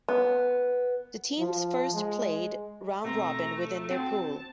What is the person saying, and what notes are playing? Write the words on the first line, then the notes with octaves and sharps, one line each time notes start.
The teams first played round-robin within their pool.
B3
F3
G#3
B2 A3 C4 A#5 C6
C4 F#4 A5